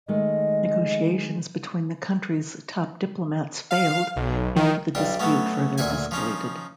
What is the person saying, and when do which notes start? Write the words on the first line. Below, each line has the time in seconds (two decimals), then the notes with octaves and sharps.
Negotiations between the countries' top diplomats failed, and the dispute further escalated.
0.08 D#3 G#3 A3 D#5
3.71 F5
4.16 B1
4.56 D#3
4.95 B1 G3 D4
5.20 F#3 A3 B3 C#4
5.78 D2 A#2 E5 F#5 G#5
6.11 F3 C#4 D#4